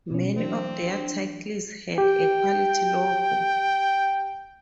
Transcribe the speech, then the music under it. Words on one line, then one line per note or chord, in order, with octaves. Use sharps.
Many of their titles had a Quality logo.
B2 C#4
E3 F#3 C4 D4
G4 G5